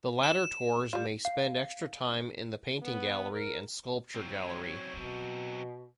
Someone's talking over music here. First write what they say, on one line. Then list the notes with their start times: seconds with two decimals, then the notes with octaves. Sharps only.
The latter tours may spend extra time in the Painting Gallery and Sculpture Gallery.
0.23 E7
0.93 G3 F4
1.25 F5
2.82 B3
3.31 A#4
4.15 F#3 C4
4.43 C#5
4.96 B2